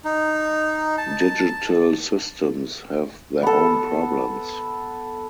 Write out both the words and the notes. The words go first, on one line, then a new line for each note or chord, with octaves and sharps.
Digital systems have their own problems.
D#4
A5
B3 A4